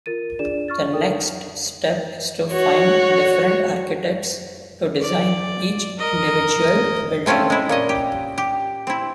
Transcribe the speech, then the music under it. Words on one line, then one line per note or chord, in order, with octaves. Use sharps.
The next step is to find different architects to design each individual building.
F4 A#4 A6 D#7
D4 F4 G#4 D5 E7
C#6 F6 A6
D#4 A4 A#4 D5 G5 D#6
F#4 C#5
D5
A#4 D#5
A3 C4 C#4 E4 F4
G#3 E4
A#2 C#4 D#5
G4
G4
C4 E4